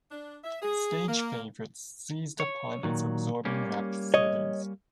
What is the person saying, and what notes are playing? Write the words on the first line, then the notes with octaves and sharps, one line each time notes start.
Stage favorites seized upon its absorbing rhapsodies.
D4
E5
G#4
A#3
C#5
A#2 D#3 F#3
G3 A#3 C#4
C#5 D#5